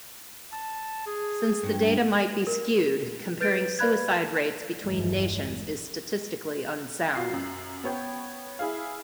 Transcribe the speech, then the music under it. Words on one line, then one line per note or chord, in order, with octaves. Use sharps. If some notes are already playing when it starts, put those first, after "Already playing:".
Since the data might be skewed, comparing suicide rates between nations is statistically unsound.
A5
G#4
G2
A#4
B4 G6 A6 D7
B4 D5 F5 B5 F#6 G#6
G#1 E2 G2 E3 F3 G#3
F4 F#4 C7
F#2
B3 C#5 G5
E4 G#4 F5